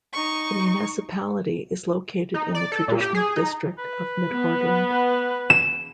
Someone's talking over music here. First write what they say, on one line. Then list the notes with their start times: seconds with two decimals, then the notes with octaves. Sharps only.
The municipality is located in the traditional district of Midhordland.
0.12 D#4 C#6
2.34 D#4
2.55 D5
2.72 A4
2.88 A#2
3.01 G4
3.15 G#4
3.36 D#4
3.79 B4
4.31 B3
5.50 E7